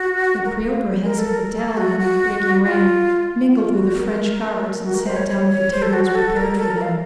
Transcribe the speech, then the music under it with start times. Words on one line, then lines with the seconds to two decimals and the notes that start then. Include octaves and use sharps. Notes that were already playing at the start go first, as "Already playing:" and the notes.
The Preobrazhensk battalion, breaking rank, mingled with the French Guards and sat down at the tables prepared for them.
Already playing: F#4
0.45 A#4
0.68 F5
1.03 A#4
1.18 A4
1.34 A#4
1.55 A4
1.77 F#4
1.99 F#4
2.65 F4
3.52 F4
3.74 F#4
3.96 A#4
4.84 F#4
4.95 A#4
5.06 C5
5.16 C#5
5.28 C#5
5.49 C#5
5.72 C5
5.82 A4
5.93 F#4
6.05 F#4
6.15 A4
6.37 A#4
6.58 A4
6.71 A#4
6.81 F5